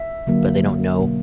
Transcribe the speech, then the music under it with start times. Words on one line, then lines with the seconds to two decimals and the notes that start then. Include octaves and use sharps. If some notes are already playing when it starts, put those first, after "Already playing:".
but they don't know,
Already playing: E5
0.27 D3 F#3 A#3
1.00 B2 A#3